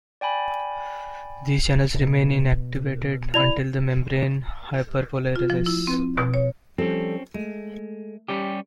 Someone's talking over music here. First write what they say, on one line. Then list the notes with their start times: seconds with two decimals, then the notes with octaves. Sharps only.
These channels remain inactivated until the membrane hyperpolarizes.
0.21 D5 G5 G#5 B5
1.94 B2
3.34 E4 D5 B5 F7
5.36 F4
5.50 F3
5.66 E4
5.87 C4
6.18 B2
6.34 C#5
6.78 F3 G3 C4 C#4 A4
7.34 G#3 A3
8.28 G3 C#4 G4